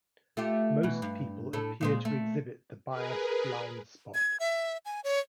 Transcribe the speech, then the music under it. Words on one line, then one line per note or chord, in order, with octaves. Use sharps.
Most people appear to exhibit the bias blind spot.
A3 F4 G4
B2 E3
G2
A2 A4
A#2 G#3 C5
A3
G#4 A#4 B4
G#6
E5
G#5
C#5